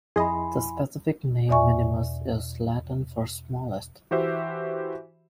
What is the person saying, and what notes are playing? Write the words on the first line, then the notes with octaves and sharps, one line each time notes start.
The specific name "minimus" is Latin for "smallest".
F2 E4 G#4 D#5 G#5 B5 C6
E2 B2 D5 E5 G#5 C#6
E3 F#4 G4 C5 E5